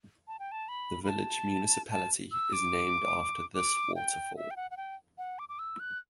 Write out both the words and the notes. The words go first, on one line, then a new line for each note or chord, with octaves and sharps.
The village municipality is named after this waterfall.
A5
G5
A5
B5
B5
A5
A5
E6
D6
D6
G5
E5
G5
F#5
F#5
G5
F#5
D6
D6
E6
F#6